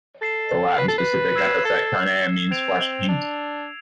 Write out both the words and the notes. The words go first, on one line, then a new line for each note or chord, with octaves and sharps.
The Latin specific epithet "carnea" means "flesh pink".
A4 A6 C7 E7
B4
A4
B4
E6 G#6 C7 E7
A4
C4 G#6 D7 F7
D4